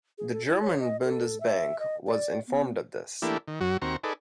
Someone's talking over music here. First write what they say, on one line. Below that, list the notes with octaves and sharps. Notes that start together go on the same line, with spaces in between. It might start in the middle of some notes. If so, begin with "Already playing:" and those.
The German Bundesbank was informed of this.
G#4
A4
E4
C#5
D#5
A4
E5
D#5
D5
B3
E3 A3 A#3 D4 E4 G4
D#3
F#2 F#3 F#4
D#2 C4 F#4 A#5 C#6
D#4 G#4 A4 B4 D5